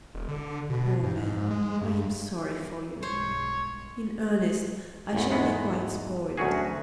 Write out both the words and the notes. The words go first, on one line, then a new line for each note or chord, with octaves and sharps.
Poor man, I am sorry for you; in earnest, I shall be quite spoiled.
E1
D3
B2
G2
G#2
G#2
G#3
G2
B1 G2 G#3 C5 C#5
A1 E2
E2 G#2 G#3 B3
D2 F#3 A3 C#4 F#4 G#4